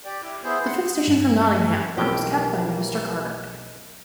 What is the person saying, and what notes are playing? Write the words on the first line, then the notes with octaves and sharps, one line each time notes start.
The fifth station from Nottingham, it was kept by a Mr. Carter.
G4 D5
E4
B3 E4 G#4 C5
F#5 C6
G2
B1 F2 A2 E3 F3 C#4 G4 A#4